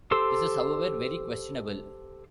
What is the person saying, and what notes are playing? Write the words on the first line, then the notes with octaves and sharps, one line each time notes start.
This is, however, very questionable.
G4 A4 C5 C6 E6